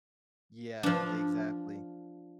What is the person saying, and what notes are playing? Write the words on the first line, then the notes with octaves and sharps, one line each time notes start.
Yeah, exactly.
F3 D4